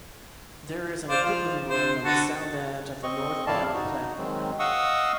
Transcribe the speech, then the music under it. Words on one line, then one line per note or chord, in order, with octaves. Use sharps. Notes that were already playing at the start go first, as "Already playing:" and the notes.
There is an equipment room on the south end of the northbound platform.
C5 D5 F5
F3
D3 C5
D3 F#4 A4
C4 D#5 C#6
F2 A2 E4 D5 F5 A5
D#4 F#4
D#3 F#3 G#3 C4
D#5 F5 F#5 C#6 D#6 E6